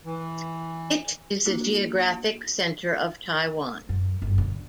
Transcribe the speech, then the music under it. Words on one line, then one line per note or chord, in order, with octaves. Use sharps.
It is the geographic center of Taiwan.
E3
A#3 D4 E4 F#4
F#2
G1 F#2
D3